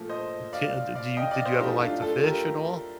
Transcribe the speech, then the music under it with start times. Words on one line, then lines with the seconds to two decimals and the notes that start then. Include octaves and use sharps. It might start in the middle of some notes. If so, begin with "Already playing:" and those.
it's can d do you did you ever like to fish at all?
Already playing: A#2 F3 A3
0.09 C5 D#5
0.53 D5 F5
0.95 D5 F5
1.17 D#5 G5
1.31 D5 F5
1.45 C5 D#5
1.59 A2 F3 A3 D#4 G4
1.81 D4 F4
2.02 F4 A4
2.24 G4 A#4